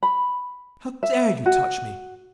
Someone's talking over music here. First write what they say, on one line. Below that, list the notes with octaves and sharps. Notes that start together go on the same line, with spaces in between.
How dare you touch me?
B5
E5
F#4